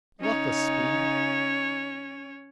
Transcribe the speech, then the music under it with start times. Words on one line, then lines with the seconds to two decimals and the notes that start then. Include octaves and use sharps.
Luckless speed!
0.20 C#3 C#4 D#4 C#5